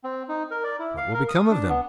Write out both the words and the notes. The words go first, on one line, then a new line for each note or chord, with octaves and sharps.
What will become of them?
C4
D#4
A#4
D5
E4
F5
A#4
D#6
D4
B3